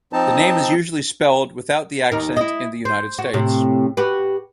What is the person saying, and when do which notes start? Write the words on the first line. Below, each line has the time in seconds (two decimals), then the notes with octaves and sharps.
The name is usually spelled without the accent in the United States.
0.13 F3 C4 D#4 A5
2.12 D#2 D#4 A#4
2.37 E4 D#5
2.85 C5
3.19 F#4
3.34 A2 C3
3.97 F#4 G4 B4